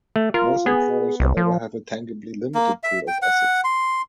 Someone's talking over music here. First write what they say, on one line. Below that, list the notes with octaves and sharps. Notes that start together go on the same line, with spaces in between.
Most employers, however, have a tangibly limited pool of assets.
A3
F4 A#4
B3 G#4
C2
F3
A#3
E5
G5
F#5
C6